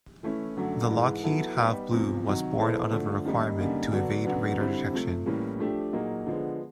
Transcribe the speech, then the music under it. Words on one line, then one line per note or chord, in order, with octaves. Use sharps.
The Lockheed "Have Blue" was born out of a requirement to evade radar detection.
E3 A3 C#4 E4
F#2 D3 F#3 A3 D4
G#2 E3 G#3
F#3 B3 E4 A4
G3 B3 D#4 G4
E2 C3 F3
C3 D#3 F#3
G#3 B3 E4 A4 C5
D3 F3 A3
F#2 D#3 G3 A#3 D#4
F#2 D3 G3 A#3 D#4
D3 F#3 B3 D4 F#4
F#2 D3 F#3 B3
F2 D3 G3 C4 E4
C3 F3 A3
A2 E3 G3 A#3 C#4
F3 A3 D4 G4
A#2 F#3 A#3 D#4 G#4
D3 F3 G#3 B3